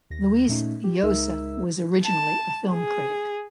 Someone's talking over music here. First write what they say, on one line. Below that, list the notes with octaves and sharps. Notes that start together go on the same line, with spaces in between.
Luis Llosa was originally a film critic.
D#2 A#6
A#2 A3 C#4 D#4
G4
C#2 G#3 D#4 A#4 E5 E6
A5
G#4